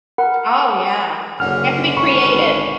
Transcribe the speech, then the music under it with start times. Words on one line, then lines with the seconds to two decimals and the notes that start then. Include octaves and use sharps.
Oh, yeah, you have to be creative.
0.18 A#4 F#5 B5
1.40 F#1 D3 C#4 D4 F#5 F6
1.97 G#1 B5 C#6